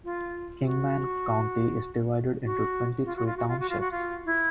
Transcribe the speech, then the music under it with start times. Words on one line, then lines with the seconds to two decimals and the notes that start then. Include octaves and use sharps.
Kingman County is divided into twenty-three townships.
0.04 F4
0.65 F#4
2.45 F#4
3.05 F4
3.16 F#4
3.26 F4
3.37 F#4
3.48 F4
3.60 F#4
3.70 F4
3.80 F#4
3.91 F4
4.25 E4